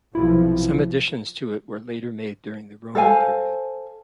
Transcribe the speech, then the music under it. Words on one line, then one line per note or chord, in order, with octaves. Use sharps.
Some additions to it were later made during the Roman period.
B1 C3 F3 E4 F4
A4 C5 F5 G#5